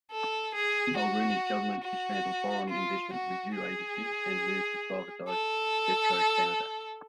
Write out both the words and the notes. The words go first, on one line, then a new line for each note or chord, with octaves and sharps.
Mulroney's government dismantled Foreign Investment Review Agency and moved to privatize Petro-Canada.
A4
G#4
F#4
F#4
F4
F#4
G#4
A4